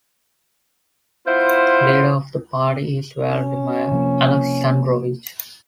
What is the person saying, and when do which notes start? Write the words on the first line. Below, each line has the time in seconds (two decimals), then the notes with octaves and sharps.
Leader of the party is Vladimir Alexandrovich.
1.26 B3 E4 F4 C5
3.31 C#4
3.92 C3 F3 A#3